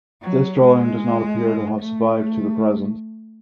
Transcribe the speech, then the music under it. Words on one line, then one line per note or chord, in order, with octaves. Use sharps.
This drawing does not appear to have survived to the present.
F#3
G#3
A3